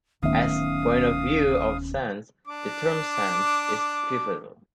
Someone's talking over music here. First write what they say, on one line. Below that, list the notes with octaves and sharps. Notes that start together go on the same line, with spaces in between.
As "point of view of the Sants", the term "Sant" is pivotal.
D1 D#3 B3 C#4 E5 F5 D#6
D4 D6